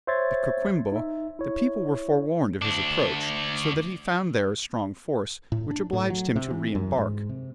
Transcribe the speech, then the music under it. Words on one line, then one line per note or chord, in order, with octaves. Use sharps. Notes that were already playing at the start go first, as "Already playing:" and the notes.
At Coquimbo, the people were forewarned of his approach, so that he found there a strong force, which obliged him to re-embark.
C5 C#5 E5 C6 G#6 A6
D#4 E5
E4 C#5
D2 D4
A2
D4
A2
F#3
C3
E3
F#2
G#2
C3